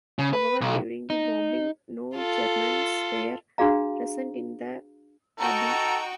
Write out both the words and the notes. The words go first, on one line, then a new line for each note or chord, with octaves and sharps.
However, during the bombing no Germans were present in the abbey.
C#3
B4
B1
D#4
F4 A4
D4 F#4 G#4 F5 A#5
D#4 F#4 A4 G5 A#5